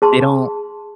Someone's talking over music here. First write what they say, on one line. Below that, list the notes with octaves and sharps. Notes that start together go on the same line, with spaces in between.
they don't,
G#4 A5 C6